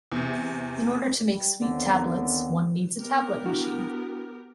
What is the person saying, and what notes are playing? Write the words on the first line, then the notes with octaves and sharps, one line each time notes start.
In order to make sweet tablets, one needs a tablet machine.
E2 C3
G3
D#2 D3 B3 C4
B3 G4 A#4
D4 E4 F#4